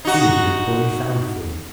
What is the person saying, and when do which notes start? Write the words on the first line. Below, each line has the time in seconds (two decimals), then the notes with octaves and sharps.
Here is your quarry found for you.
0.05 D#4 F#4